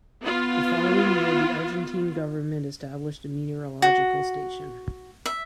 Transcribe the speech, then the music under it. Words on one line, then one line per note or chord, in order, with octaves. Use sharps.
The following year the Argentine Government established a meteorological station.
B3 F4
F#4
E5